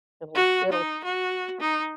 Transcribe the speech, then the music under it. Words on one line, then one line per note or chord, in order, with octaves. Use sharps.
It’ll it'll
F#4
D#4
F#4
D#4